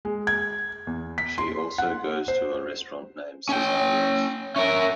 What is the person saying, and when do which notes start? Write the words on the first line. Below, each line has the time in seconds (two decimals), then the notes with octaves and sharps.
She also goes to a restaurant named "Cesario's".
0.05 G#3
0.27 G#6
0.87 E2
1.18 B6
1.38 C6
1.78 F#5
2.28 C5
3.49 C#4 C#5 G5
4.56 C#4 A#4 E5